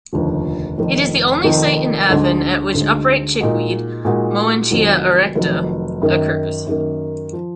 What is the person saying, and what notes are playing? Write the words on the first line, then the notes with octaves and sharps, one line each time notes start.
It is the only site in Avon at which Upright Chickweed "Moenchia erecta", occurs.
F1 D#2 D3 F3
F1 F2 D#3
F1 F2 D#3
D2 D3 G#3 D#4
D2 D3 G#3 D#4
A#2 G#3 D#4 F#4
A#2 G#3 D#4 F#4
F1 F2 D#3 F#3
F1 F2 D#3 F#3
F#2 D#3 A#3
F#2 D#3 A#3
F3